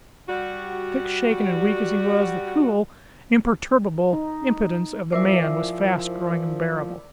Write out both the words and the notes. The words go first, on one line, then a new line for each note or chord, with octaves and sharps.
Sick, shaken, and weak as he was, the cool, imperturbable impudence of the man was fast growing unbearable.
G3 F#4
D#4
F3 E4 A#4 C5 D5 E5 G#5